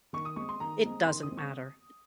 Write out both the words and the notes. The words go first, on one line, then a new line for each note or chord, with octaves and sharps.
It doesn't matter.
D#3 C#6
D#6
G#3 C4 C#6
C6
D#3 A#5
G#3 C4
D#3 C6
D#6
G#3 C4
C#6